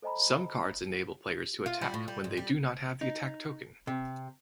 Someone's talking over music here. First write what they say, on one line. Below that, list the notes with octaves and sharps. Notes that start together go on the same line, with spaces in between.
Some cards enable players to attack when they do not have the attack token.
A4 C5 D#5 G#5 A#5 B5
F4
G3
A2
G3
G#2
G3
D#4
C3